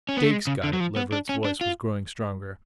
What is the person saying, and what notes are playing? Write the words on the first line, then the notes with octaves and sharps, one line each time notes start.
"Jake's got it." Leverett's voice was growing stronger.
C#4
B3
A3
G#3
C#3
D3
F#3
F3
B3
D4
C#4
D4
F4